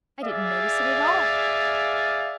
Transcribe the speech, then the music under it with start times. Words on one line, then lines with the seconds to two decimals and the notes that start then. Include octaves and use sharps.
"I didn't notice it at all."
0.23 G#4 D5 E5 F5